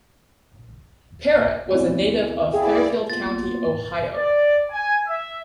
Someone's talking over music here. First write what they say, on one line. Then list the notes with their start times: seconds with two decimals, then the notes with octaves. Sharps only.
Parrott was a native of Fairfield County, Ohio.
1.71 D2 B2 E3 C4 C#5 D5
2.53 E4 G#4 D5 E5 F5 G5
3.10 A#3 B3 F4 A6
4.14 D5
4.70 G#5
5.07 E5